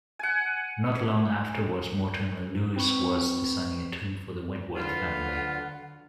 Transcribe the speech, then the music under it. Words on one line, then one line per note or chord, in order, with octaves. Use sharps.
Not long afterwards, Mortimer Lewis was designing a tomb for the Wentworth family.
F#5 G#5
C4 B4 C#6
D3 F#3 F4 B4 F#5